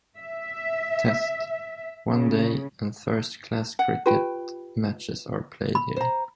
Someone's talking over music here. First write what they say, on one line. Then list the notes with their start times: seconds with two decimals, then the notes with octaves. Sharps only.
Test, One Day and First class cricket matches are played here.
0.18 E5
2.10 C#3
3.79 F#5
4.06 F4 G4 B4 G5
5.75 B5
5.96 C5 A#5